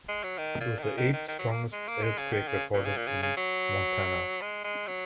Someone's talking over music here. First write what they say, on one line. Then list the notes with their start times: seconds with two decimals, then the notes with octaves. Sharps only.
It was the eighth-strongest earthquake recorded in Montana.
0.09 G#3
0.24 F#3
0.38 D#3
0.60 A#2
0.79 D#3
0.83 C#3
0.98 D#3
1.13 D#3
1.28 D#3
1.39 F#3
1.51 A#3
1.73 G#3
1.88 A#3
2.03 G#3
2.18 C#3
2.33 D#3
2.48 C#3
2.74 A#2
2.85 C#3
2.97 A#2
3.07 C#3
3.23 C#3
3.37 F#3
4.42 G#3
4.64 G#3
4.87 F#3